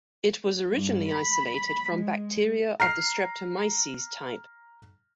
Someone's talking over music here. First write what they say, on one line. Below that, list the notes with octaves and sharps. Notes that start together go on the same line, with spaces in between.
It was originally isolated from bacteria of the "Streptomyces" type.
G2
B5
G#3
A#5 F6 C7